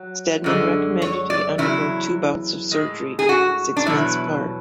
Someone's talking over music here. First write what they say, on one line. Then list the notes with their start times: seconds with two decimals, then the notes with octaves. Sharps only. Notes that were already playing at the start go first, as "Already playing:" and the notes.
Steadman recommended he undergo two bouts of surgery six months apart.
Already playing: F#3
0.44 F#2 D3 G#3
1.02 C#5
1.30 D5
1.58 E2 C#3 F#3 E4
2.72 A2 G#3
3.19 G#4
3.29 F#4
3.77 D4
3.86 E2 B2 F#3 E4